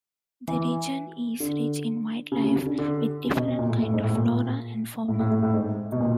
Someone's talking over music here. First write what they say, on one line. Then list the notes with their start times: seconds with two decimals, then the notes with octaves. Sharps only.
The region is rich in wildlife with different kind of flora and fauna.
0.48 E3
1.40 D3
2.32 C#3
2.44 C#3
2.55 C#3
2.66 D3
2.79 D3
3.25 C#3
3.35 B2
3.48 B2
3.59 A#2
3.69 A2
3.82 A2
3.93 G#2
4.04 A2
4.15 A#2
5.08 A2
5.20 A2
5.31 A2
5.43 A2
5.53 G#2
5.92 B2
6.00 A#2